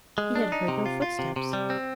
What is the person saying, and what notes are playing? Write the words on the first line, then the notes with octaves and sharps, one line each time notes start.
He had heard no footsteps.
G#3
D4
D#4
C3
F4
F4
C3
C3
G3
C4